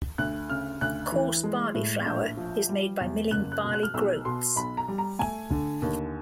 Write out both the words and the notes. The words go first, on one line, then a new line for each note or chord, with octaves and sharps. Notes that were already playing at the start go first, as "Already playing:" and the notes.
Coarse barley flour is made by milling barley groats.
D2 F#6
C#3 F6
D2 F#6
E3
G#3
A2
A#1 G6
F3
G3
E2
F#1 F#6
F#6
B2
F#6
F6
B1 E6
B2 C6
B1 B5
A#5
G3
A#5
A3 G#5
D3
D#2